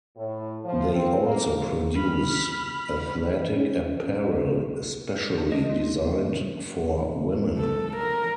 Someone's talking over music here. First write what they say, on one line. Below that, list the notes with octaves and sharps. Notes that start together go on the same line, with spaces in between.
They also produce athletic apparel specially designed for women.
A2
F3
C4
A#3
B5 F6
C#4
G6
D4
D#5
F4
A4
A#4